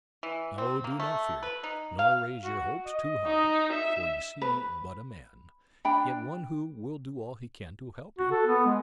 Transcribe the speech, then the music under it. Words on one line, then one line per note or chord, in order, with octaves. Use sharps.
No, do not fear--nor raise your hopes too high; for you see but a man, yet one who will do all he can to help you.
E3
C4
A#3
A3
B4
D#4
F5
F#4
D#5
D#4
E5
B4
D4 G5 B5
F#4
A4
B3
G#3